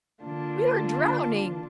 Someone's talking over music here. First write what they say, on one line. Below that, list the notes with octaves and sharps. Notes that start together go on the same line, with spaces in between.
We are drowning!'
D3 A#3 D4 F4